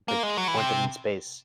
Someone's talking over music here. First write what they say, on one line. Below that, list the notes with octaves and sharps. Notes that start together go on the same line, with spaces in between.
the pointed in space,
A#3
G#3
F#3
E3
C3